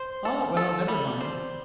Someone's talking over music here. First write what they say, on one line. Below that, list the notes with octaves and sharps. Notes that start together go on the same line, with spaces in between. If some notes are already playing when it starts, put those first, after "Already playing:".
Ah, well, never mind.
Already playing: C5
A4
A4
G3
C5